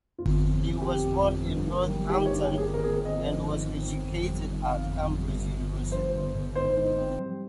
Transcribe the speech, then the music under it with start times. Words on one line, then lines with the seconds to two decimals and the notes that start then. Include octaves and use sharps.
He was born in Northampton, and was educated at Cambridge University.
0.18 F1 F4
0.40 F3
0.61 C3
0.82 F2 G4
1.03 F1
1.25 F3
1.46 G2
1.67 A#3
1.88 G3
2.09 D#3 G4
2.25 C#5
2.31 G2
2.41 G4
2.52 A#3
2.58 G#4
2.73 G#1 A#4
2.84 G#4
2.93 C4 A#4
3.05 D#5
3.16 F3
3.37 G#2
3.58 G#1
3.80 C4
4.01 F1
4.22 G3
4.43 D#3
4.65 F2 F5
4.86 F1
5.07 G3
5.28 G1
5.50 G1
5.71 F3
5.91 G2 C5
6.13 G1
6.34 G1
6.55 G#2 C5
6.77 G#2
6.98 C4
7.19 G3